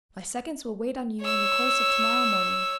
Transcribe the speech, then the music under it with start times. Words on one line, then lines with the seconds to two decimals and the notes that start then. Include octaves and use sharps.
My seconds will wait on you in the course of to-morrow morning.
1.21 C#5 E6